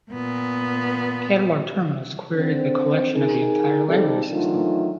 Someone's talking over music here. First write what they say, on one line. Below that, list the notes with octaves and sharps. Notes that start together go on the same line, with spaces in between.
Catalog terminals query the collection of the entire library system.
A#2 B3
D3 C4
D#3 G#4 A#4
C3 G3 C4 D#4 A4
D#3 E3 F#3 A3 D4 F4